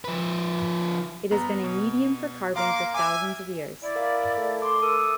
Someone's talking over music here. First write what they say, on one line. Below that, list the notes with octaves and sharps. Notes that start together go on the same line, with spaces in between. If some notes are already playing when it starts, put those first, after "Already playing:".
It has been a medium for carving for thousands of years.
F3 B4
G2 B3 A#5
B2
A#3 F5 A#5 C6 D6 F6
E5 G#5 D6
E4 D5
A#4 F5
A3
C6 D6
A4 A#4 D#6